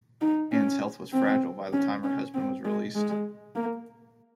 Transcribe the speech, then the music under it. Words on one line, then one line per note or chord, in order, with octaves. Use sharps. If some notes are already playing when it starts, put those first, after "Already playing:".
Ann's health was fragile by the time her husband was released.
D#4
C#4
C4
C#4
C#4
C4
G#3
G#3
A#3